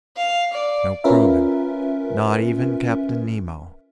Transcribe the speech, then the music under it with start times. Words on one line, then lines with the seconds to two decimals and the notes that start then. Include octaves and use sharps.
No crewmen. Not even Captain Nemo.
0.17 F5
0.52 D5
1.04 C#4 F4 A#4 B4 E5